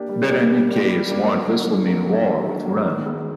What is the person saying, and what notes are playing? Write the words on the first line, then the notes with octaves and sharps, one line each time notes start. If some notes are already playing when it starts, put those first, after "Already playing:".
Berenice is warned this will mean war with Rome.
Already playing: A#3 D4 G4
G3
A#3 D4 G4
G3
A#3 D4 G4
G3
A#3 D4 G4
D3
F#3 A#3
D3
F#3 A#3
D3
F#3 A#3
D3
F#3 A#3
D#3
G#3 B3